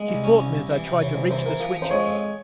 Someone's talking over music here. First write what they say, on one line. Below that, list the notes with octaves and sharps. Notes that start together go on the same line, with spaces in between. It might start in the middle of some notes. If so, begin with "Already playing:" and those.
She fought me as I tried to reach the switch.
Already playing: G#3
C2
C#4
C2
C2
E3
C3
E3 C#5
C2 C5
E3 C5
E3 A#4
F3
F3
C5
G#3 C#5
F2